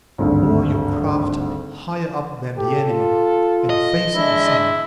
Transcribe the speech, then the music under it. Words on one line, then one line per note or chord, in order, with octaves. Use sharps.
Moor your craft higher up than the enemy, and facing the sun.
G#1 D2 G2
G4 A4
F4
D#5
G#3 D4 E4